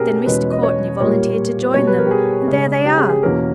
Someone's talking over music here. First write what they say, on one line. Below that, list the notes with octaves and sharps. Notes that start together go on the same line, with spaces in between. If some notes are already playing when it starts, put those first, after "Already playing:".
Then Mr. Courtney volunteered to join them, and there they are.
Already playing: B2 A#3 C#4 G4 G#4 A#4
E2 B2 G#3 C#4 B4
D#5
C#5
A#2 G3 A#3 C#5
B2 G3 B3 C#5
B4
A#4
G4
G#4
C#3 G#3 C#4
G4
G#4
G#4
E2 B2 A#3 C#4 A#4